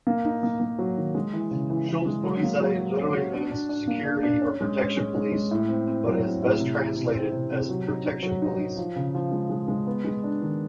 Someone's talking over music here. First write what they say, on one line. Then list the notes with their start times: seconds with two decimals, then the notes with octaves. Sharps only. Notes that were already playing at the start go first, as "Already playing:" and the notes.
"Schutzpolizei" literally means security or protection police but is best translated as Protection police.
0.07 A#3
0.25 D#4
0.43 A#3
0.60 A#3
0.79 F#3
0.97 D#3
1.15 G#3
1.33 E3
1.51 C#3
1.70 E3
1.88 E3
2.06 G#3
2.24 F#3
2.43 A#3
2.60 F#3
2.78 F#3
2.97 C#4
3.15 F#4
3.33 D4
3.51 D4
3.69 D4
3.87 A#3
4.05 D4
4.23 D4
4.41 C#4
4.61 G#3
4.79 C#4
4.97 G#3
5.15 G#3
5.32 G#3
5.51 A2
5.69 C4
5.87 C4
6.06 F#3
6.23 C4
6.42 A2
6.59 C3
6.78 E3
6.96 C3
7.15 C4
7.32 C3
7.51 C3
7.69 F#3
7.87 D#4
8.04 D#4
8.23 F#3
8.42 D#4
8.59 D#4
8.77 F3
8.96 C#3
9.15 F3
9.32 G#3
9.50 G#3
9.68 G#3
9.87 B3
10.05 G#3
10.23 D4
10.42 D#3